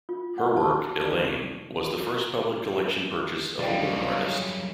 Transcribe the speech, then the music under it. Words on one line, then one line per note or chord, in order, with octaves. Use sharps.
Her work, "Elaine", was the first public collection purchase of a woman artist.
F4
F#5
A5
E4
D5
C#6
F#2 C#3 G3 D#4 F4 D5 G5